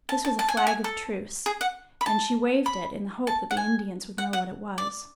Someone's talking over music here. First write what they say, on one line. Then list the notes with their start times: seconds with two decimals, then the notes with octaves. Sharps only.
This was a flag of truce, and she waved it, in the hope that the Indians would know what it was.
0.09 A5
0.25 A5
0.39 A5
0.49 G#5
0.57 F#5
0.67 G#5
0.84 A4
1.46 G#4
1.61 F#5
2.01 B5
2.06 A5
2.66 B5
3.27 A5
3.51 F#5
3.57 G#5
4.18 F#5
4.33 F#5
4.78 D5